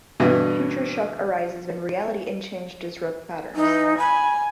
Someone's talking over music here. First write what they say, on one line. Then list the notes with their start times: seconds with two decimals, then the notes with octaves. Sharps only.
Future shock arises when reality and change disrupt patterns.
0.20 G2 B2 D3 E3
3.56 E3 D#4
3.98 G#5 B5